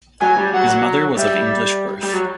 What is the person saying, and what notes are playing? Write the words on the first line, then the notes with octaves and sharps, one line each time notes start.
His mother was of English birth.
F#3 G#5
G3
F#3 F#5
F#3
G3 E5
G3
F#3